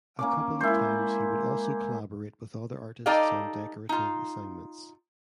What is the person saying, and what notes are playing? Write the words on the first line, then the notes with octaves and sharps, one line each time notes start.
A couple of times he would also collaborate with other artists on decorative assignments.
A#3 C#4 D6
G#3 E4 A#4 C5 G#5
D#4 G4 A4 D5 D#5 F5
D#4 F4